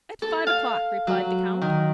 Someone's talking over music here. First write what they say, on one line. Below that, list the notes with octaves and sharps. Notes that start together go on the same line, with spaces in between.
"At five o'clock," replied the count.
A4
F5
F#3
D#3